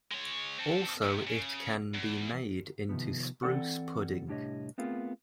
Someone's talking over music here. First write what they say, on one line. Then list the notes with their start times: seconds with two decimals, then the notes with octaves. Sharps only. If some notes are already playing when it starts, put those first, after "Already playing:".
Also it can be made into spruce pudding.
0.11 G#3 C#5
0.59 C4 A4
1.02 D#2 C3
1.27 C#3
1.94 E2
2.89 C3 D#3 F3 B3
3.43 E3 C4 A4 D5 F#5
4.28 C2 A2 D4 G4 C#5 D#5
4.78 A3 B3 C4 F4 G#4 A#4